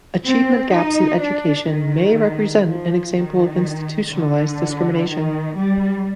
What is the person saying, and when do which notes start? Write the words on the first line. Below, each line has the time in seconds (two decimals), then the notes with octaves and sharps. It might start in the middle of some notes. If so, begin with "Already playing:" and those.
Achievement gaps in education may represent an example of institutionalized discrimination.
0.24 C4
0.73 D#4
1.21 D4
1.70 D#3
2.66 F3
3.15 D#3
4.11 D3
5.09 D#3
5.58 G3